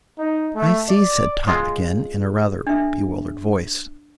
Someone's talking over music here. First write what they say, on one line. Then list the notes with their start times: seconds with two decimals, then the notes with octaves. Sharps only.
"I see," said Tot again, in a rather bewildered voice.
0.18 D#4
0.55 A3
0.88 D5
1.47 G#3 F4
2.67 D4 E5